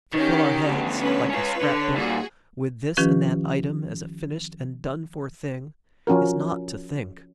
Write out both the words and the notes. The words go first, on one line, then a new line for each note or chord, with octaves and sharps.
To fill our heads, like a scrapbook, with this and that item as a finished and done-for thing, is not to think.
D#3 C#4 F#4 G4
D2 B3
C#4 B4
C#4 F4 B4 C#5
D3
A#2 G3 F#4 G#4
D#3 F3 C#4 F4 G4 B4
F3 C#4 F#4 A#4